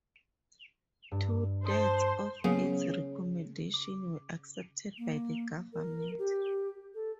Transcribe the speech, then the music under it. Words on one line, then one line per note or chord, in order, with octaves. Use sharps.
Two thirds of its recommendations were accepted by the government.
G2
C5 A5 D#6
C#3 F#3 A#3 B3
D6
A#3
A#4
G4
A4